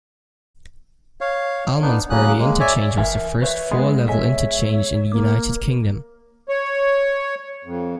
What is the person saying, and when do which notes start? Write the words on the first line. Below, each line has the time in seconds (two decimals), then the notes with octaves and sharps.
Almondsbury Interchange was the first four-level interchange in the United Kingdom.
1.21 C#5 F5
1.82 B3 D4 D#4
2.10 C#3 F#3 A#3 C#4 D#6 F#6
2.39 G#3 A#3
2.60 C#5 D5 E5 G#5
2.97 G1 E3 A#4 E5 G#5
3.41 B4 C#5 E5
3.71 G#3 B3
4.08 A4 C#5 D#5 E5 G#5
5.12 A#3 D6
6.49 C#5
7.65 F2